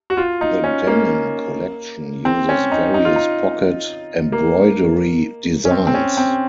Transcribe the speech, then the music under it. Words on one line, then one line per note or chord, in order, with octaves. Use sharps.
The denim collection uses various pocket embroidery designs.
F#4
F4
D#4
C#4
A#3
C4
C#4
D#4
D#4
F4
D#4
A#3
C#4
C4
C4
C#4
C4